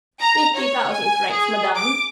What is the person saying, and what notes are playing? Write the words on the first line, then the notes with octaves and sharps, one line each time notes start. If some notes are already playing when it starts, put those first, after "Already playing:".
"Fifty thousand francs, madame."
A#5
C#5
G#5
G#4
D6